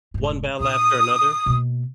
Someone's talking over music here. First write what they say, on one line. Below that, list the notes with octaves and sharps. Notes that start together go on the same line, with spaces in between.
One Battle After Another?
F1 G#2
A#2 D4 D#6
B2 A#3